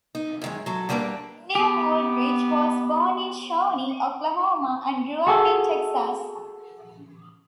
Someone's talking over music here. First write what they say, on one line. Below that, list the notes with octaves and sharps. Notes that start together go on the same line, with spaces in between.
William Wooldridge was born in Shawnee, Oklahoma, and grew up in Texas.
D#4
F#2 D#3 G#3
F#3 A4
E2 G3 A#3 D4 A4 G5
B3 G4
F#4 G#4 A4